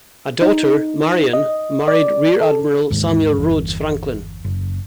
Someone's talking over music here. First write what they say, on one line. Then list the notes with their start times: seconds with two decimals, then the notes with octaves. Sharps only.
A daughter, Marion, married Rear Admiral Samuel Rhoads Franklin.
0.42 D#4
1.33 D#5
1.88 D5
2.41 A4
2.90 D#2 G#2
3.36 G1 E2
4.45 F#1